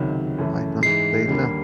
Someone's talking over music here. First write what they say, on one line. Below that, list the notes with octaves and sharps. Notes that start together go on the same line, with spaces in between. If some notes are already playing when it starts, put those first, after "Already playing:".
I don't blame them.
Already playing: C#2 C3 D#3 F#3
F#2 C#3 E3 A3
G#2 E3 G#3 C7
D#2 D3 G3 A#3